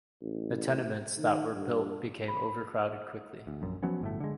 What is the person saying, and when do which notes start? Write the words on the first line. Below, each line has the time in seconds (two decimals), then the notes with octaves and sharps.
The tenements that were built became overcrowded quickly.
0.22 A1
1.17 D#3
1.53 G2
2.28 B5
3.47 D2
3.62 A#1 F#2
3.83 F3 F#3 B3 C#4
4.01 G1 A2 A3
4.20 D3 G#3